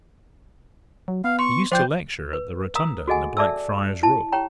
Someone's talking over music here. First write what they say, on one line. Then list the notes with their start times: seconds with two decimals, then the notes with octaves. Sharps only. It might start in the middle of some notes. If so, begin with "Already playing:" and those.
He used to lecture at the rotunda in the Blackfriar's Road.
1.08 F#3
1.24 B3 F5
1.39 C6 C#6
1.72 F3 C5 D5 G5 C6 G6
2.33 B4
2.75 A#4 F5 A#5 D#6 E6
3.07 F#4 G#4 A4 D#5 F#5 G#5
3.37 A4 D5 E5 A5 D6 E6
4.03 E4 A5
4.32 G4 C#5 G5 A#5